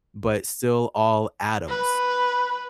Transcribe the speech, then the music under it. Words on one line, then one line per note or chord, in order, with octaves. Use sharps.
but still all atoms.
B4